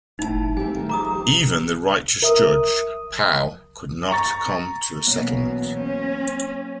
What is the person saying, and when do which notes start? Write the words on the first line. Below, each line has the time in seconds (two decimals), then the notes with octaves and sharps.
Even the righteous Judge Pao could not come to a settlement.
0.19 A2 D#4 E4 A5
0.57 A3 C4 G4 G#5
0.73 D#3 A3 A4
0.89 F3 D#4 G#4 A#5 D6 D#6
1.10 G4 C5
2.22 A#4 E5 D#6
4.11 A#5 C#6 A6
5.06 B2 E3 F#3 A#3 C#4
5.76 C#4 C5